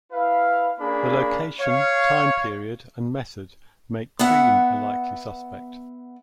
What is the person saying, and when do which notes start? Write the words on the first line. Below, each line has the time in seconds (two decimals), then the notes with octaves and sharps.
The location, time period, and method make Cream a likely suspect.
0.12 E4 B4 F5
0.79 A#3 C#4 D4 G#4 B5
1.60 C#5 F5
4.19 B3 E5 F#5